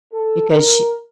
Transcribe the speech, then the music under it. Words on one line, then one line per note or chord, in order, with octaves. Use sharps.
because sh
A4
A#4